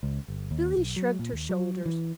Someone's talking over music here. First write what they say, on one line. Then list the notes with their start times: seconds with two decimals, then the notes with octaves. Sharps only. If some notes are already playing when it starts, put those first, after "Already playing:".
Billy shrugged her shoulders.
0.03 C#2
0.28 G1
0.51 D#2
0.77 B1
0.96 F#3
1.19 A#2
1.33 D#2
1.49 F#3
1.86 E3